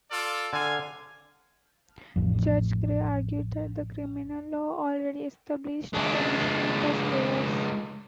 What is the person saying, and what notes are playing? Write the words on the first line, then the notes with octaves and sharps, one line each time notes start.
Judge Gray argued that the criminal law already established punishment for slayers.
F4 A4 D5
D3 F5 G#5
A1 F2
C#2 D4